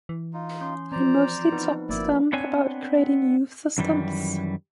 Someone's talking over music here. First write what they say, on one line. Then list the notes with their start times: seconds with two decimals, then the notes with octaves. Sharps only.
I mostly talked to them about creating youth systems.
0.09 E3
0.33 D#4 F4
0.61 C#4 C6
0.92 F3 C4 C5 D5 A#5
1.52 B3 D#4 B4
1.89 G1 F3 A#3 E4 D5
2.33 B3 C4 D4 C#5 G#5
3.78 F#2 D#3 E3 G3